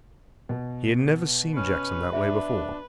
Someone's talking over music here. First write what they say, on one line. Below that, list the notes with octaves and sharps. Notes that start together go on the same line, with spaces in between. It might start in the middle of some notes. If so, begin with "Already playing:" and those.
He had never seen Jackson that way before.
B2
C#4 B4
D4 E5